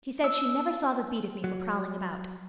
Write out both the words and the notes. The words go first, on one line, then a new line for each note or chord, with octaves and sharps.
She said she never saw the beat of me for prowling about.
E6
F#3